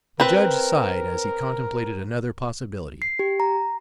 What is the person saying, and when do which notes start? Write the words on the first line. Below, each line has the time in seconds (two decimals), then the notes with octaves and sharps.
The judge sighed as he contemplated another possibility.
0.20 C4 A#4 B4
3.02 C7
3.19 G4
3.40 A#5